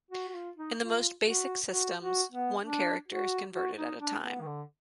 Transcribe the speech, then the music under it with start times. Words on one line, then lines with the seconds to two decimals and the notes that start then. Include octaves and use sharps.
In the most basic systems, one character is converted at a time.
0.11 F#4
0.28 F#4
0.34 F4
0.57 D#4
0.79 F4
1.25 F#4
1.71 F#4
2.01 F#4
2.32 B3
2.63 D4
3.08 F#4
3.53 F#4
3.76 D#4
3.99 D4
4.22 B3
4.41 D#3
4.46 D3